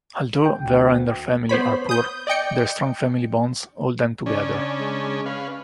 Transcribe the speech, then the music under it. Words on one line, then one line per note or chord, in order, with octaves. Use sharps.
Although Vera and her family are poor, their strong family bonds hold them together.
G5
D2
B3 C5 C#5 B5
D#6 G6
D5 D#5 G5 C#7
C#3 C#4 D4 D5
G#3
C#4 B4 F5